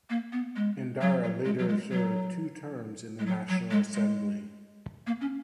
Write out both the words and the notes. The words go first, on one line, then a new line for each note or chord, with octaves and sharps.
Endara later served two terms in the National Assembly.
A#3
B3
G#3
F#3
F#3
G#3
F#3
G#3
F#3
G#3
F#3
F#3
G#3
G#3
A#3
C#4